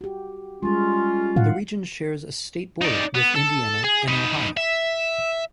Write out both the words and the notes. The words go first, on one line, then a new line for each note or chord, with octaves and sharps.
The region shares a state border with Indiana and Ohio.
F#4 G4
G3 G#3 C#4 F4
A2 F#3 F5 F#5
D#4 D5
B3
A4
G#4
D#4 B4
E5